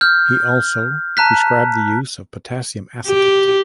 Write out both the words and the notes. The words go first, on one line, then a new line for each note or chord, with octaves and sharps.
He also prescribed the use of potassium acetate.
F6 G6
A5 A#5 F#6 B6
G4